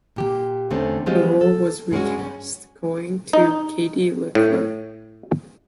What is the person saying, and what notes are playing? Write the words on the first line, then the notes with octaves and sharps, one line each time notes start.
The role was recast, going to Katie Leclerc.
A#2 G4
E2 D3 A3 C4 C#4
F3 F#3 G#3 C4 F4 G4
A4
G2 G#3 C#4 F#4
C#4
D#4
A2